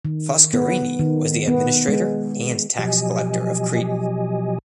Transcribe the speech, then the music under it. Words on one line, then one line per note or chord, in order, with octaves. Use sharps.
Foscarini was the administrator and Tax collector of Crete.
D#3
B3
D#3
B3
G#3
B2 F3 F#3 G4 D#5 G#5